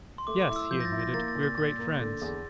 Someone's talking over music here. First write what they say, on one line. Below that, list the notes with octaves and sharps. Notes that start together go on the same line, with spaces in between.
"Yes," he admitted, "we're great friends."
C6
A3 D6
D6
E4
E6
F3 G6
A#6
A6
E4
A#6
A#3 A6
A6
A#2
A6
A#2 A6
A#3
D3
E2